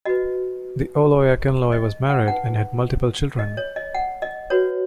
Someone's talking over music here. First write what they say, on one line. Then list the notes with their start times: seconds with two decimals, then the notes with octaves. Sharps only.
The Oloye Akinloye was married and had multiple children.
0.05 F#4 B4 D#5
1.73 D#5
2.10 F#5
2.28 D#4 B4 F#5
3.39 D#5
3.57 C#5
3.76 D#5
3.94 F#5
4.22 D#5
4.50 F#4 B4 C#5